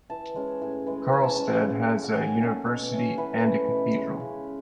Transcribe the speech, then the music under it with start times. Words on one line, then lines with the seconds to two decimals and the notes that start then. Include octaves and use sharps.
Karlstad has a university and a cathedral.
0.10 E3 A5
0.36 G#3 C#4
0.61 A2 G#5
0.86 E3 G#3
1.12 C#3 G#5
1.24 A5
1.36 G#3 C#4 G#5
1.64 C#3
1.90 F#3 A3
2.04 F#5
2.15 D#3 G#5
2.42 A3 C#4
2.66 B2
2.93 A3 C#4
3.18 E3 B4
3.43 A3 C#4
3.69 B2
3.95 G#3 C#4
4.20 C#3